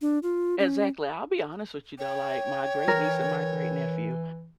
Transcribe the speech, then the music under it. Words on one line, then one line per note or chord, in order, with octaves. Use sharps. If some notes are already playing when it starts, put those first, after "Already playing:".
Exactly. I'll be honest with you though, like, my great-niece and my great-nephew,
D4
F4
C#4
C#5 G5
E3 A#4